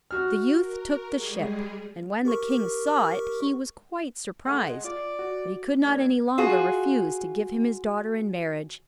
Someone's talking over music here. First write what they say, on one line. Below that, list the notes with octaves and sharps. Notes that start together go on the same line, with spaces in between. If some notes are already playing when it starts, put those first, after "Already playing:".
The youth took the ship, and when the king saw it he was quite surprised; but he could not any longer refuse to give him his daughter in marriage.
F#4 F6
A#4
G3 G#3 G#4
G4 A#4 C#6
D#2 A3 G#4 F#5 C6
G#3
F4 D5
F#4
E3 G3 A#3 D4 G#6
F4 F#4 G#4